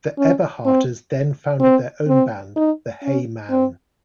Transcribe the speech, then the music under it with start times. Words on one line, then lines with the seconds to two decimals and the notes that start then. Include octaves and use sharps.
The Eberharters then founded their own band, the Hey Mann!
0.18 C#4
0.66 C4
1.61 C4
2.08 C4
2.56 D#4
3.03 C#4
3.50 C4